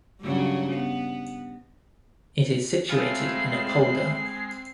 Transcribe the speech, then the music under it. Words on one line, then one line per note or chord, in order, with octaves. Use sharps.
It is situated in a polder.
G2 C#3 F#3
B3
G#3 A3 C4 F4 B5 C7